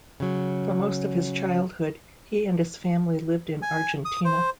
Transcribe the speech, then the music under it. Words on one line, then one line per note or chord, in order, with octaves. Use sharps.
For most of his childhood, he and his family lived in Argentina.
C#3 F#3
G#5
D#6
C5